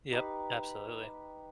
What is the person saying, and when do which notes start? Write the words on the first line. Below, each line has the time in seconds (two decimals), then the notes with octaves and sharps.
Yep, absolutely.
0.12 D#4 G4 B4